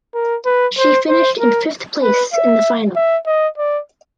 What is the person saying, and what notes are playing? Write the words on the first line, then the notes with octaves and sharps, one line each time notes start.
She finished in fifth place in the final.
A#4
B4
C5
C5
A#4
B4
E5
E5
D#5
D5